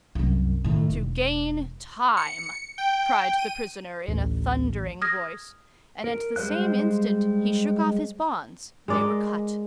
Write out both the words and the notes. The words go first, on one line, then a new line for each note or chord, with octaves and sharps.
"To gain time!" cried the prisoner in a thundering voice, and at the same instant he shook off his bonds; they were cut.
C2 F#2
A2 D#3
E1
C#7
G5
D#7
A1 D2
D#6 F6 G#6 A#6
A#4
G3 G#3 C5 F5 F#6
G#3 A#4 D5 D#5